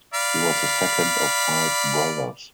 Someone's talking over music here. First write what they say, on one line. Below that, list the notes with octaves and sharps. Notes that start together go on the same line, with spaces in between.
He was the second of five brothers.
D5 F5 B5